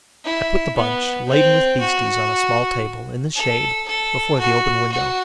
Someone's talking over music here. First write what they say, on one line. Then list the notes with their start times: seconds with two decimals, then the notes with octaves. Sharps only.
I put the bunch laden with beasties on a small table, in the shade, before the open window.
0.25 E4
0.76 B3
1.28 C4
1.80 F#4
3.36 A4
3.88 A4
4.40 F#4
4.92 F#4